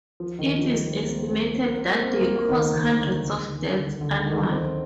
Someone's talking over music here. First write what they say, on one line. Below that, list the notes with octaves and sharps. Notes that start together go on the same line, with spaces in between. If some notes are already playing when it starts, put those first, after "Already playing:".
It is estimated that they cause hundreds of deaths annually.
F3
D#3
F3
G3
A#3
C4
A#3
C4
A#3
C4
A#3
C4
A#3
C4
A#3
C4
A#3
D#3
D#3
D3
D3
D3
D#3
D3
D3
D#3
C4